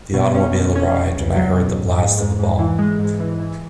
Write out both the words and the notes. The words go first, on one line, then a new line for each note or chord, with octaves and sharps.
The automobile arrived and I heard the blast of a bomb.
B2
C#4
B2
C#4
C#4
C#2
F#3
B2
G#2
G#2
G#2
G#2
E3
G#3
G#2
E3
E3